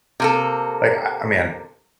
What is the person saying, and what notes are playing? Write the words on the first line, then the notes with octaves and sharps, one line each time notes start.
like, I I mean,
C3 A#3 A4